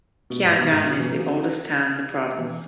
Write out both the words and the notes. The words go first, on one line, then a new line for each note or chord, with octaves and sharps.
Kiangan is the oldest town in the province.
B2
G#2
B2
G#2
B2
B2 E3
C#3 F#3
B2 E3